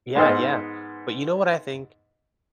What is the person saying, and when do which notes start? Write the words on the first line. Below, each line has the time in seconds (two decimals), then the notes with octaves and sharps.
Yeah, yeah. But you know what I think?
0.15 G#2 B3 C5 D#5 E6 F6